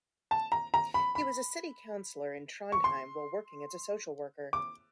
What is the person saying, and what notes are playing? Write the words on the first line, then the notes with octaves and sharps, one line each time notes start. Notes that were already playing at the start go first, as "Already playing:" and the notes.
He was a city councillor in Trondheim while working as a social worker.
A5
A#5
A#5
B5
B5
C#6
C6
D6